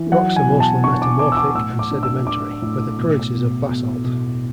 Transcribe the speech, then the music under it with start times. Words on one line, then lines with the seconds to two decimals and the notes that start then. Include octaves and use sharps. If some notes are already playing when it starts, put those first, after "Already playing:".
Rocks are mostly metamorphic and sedimentary, with occurrences of basalt.
Already playing: E3
0.12 F#3 F#5
0.36 G#5
0.48 B2
0.60 A5
0.84 D4 C#6
1.02 D6
1.19 B3 D6
1.32 E6
1.37 D6
1.55 A2 E6
1.79 D6
1.91 D4
2.03 E6
2.27 D4 D6
2.62 A2
2.97 B2
3.34 B2
3.69 B2
4.04 B2